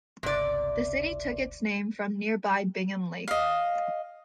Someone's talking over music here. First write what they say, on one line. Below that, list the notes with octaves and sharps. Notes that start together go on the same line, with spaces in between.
The city took its name from nearby Bingham Lake.
G1 C#2 C3 D5
D#5 F5